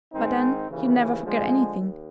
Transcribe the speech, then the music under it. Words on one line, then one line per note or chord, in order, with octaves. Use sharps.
But then you never forget anything.
G#2 D#3 G#3 C4 D#4
D#2 C#3 E3
D3 F3 G#3
D#2